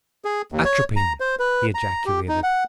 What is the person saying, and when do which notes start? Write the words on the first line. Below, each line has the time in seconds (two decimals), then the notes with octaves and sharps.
"Atropin!" he ejaculated.
0.25 G#4
0.52 D#2
0.65 C#5
0.96 A#5
1.20 C5
1.39 B4
1.75 A#5
2.06 G4
2.28 D#4
2.43 F#5